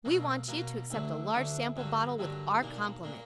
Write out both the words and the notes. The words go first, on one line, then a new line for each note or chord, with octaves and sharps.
We want you to accept a large sample bottle with our compliments.
B2 F#3 A#3
B2 F#3 A#3
D2 D3 F#3
D2 D3 F#3
G2 D3 F#3 A#3
G2 D3 F#3 A#3
B1 A#2 A#3 D4
A#2 A#3 D4